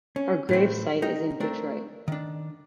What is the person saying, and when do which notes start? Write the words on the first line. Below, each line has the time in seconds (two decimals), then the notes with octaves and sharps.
Her gravesite is in Detroit.
0.16 C#4
0.49 A2 E3 C4
1.02 D#4 A#4 G5
1.40 A3 C4 D4 A#4
2.08 D#3 D4